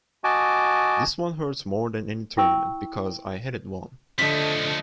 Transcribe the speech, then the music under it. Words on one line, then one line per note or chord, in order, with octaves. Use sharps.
This one hurts more than any tournament because I had it won.
F#4 D#5 G#5 A5 D6
E4 G5 C#6 E6
D3 F3 A3 D#5 B6